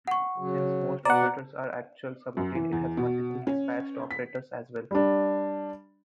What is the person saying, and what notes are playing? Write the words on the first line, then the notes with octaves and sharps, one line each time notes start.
Since most operators are actually subroutines, it has multiple dispatched operators as well.
F#5 C#6
C#3 F#3
B2 B3 D5 F#5 A#5
F#2
E3
E2
B2
C#4
B6
G3 D4